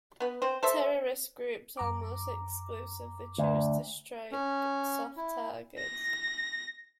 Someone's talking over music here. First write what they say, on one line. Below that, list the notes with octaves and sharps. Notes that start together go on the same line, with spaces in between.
Terrorist groups almost exclusively choose to strike soft targets.
B3 B4
C4 C5
A4 C5 E5
F#2 A#5 D6
D2
C#4
E4
A#6